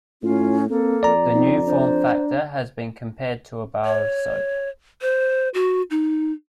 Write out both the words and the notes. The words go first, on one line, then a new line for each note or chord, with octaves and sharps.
The new form factor has been compared to a bar of soap.
A2 C#4 F4
A#3 C4 A4
F2 D5 A#5
C4 D#4
D4 C5
C#5
C5
F#4
D#4